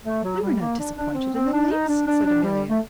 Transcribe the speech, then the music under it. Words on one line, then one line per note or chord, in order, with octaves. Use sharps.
"We were not disappointed in the least," said Amelia.
A3
F#3
G3
A#3
D4
D4
C4
C4
D4
D#4
D4
D4
D4
G3
A3